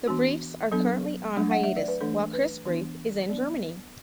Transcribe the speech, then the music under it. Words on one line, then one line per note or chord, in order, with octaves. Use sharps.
The Briefs are currently on hiatus while Chris Brief is in Germany.
E3 B3 D4 F#4
F#3 B3 D4 A4
F#3 A3 D4
F#5
E5
D5
B4
E3 A3 D4 A4
B4
E3 B3 D4
F#3 B3 D4 D5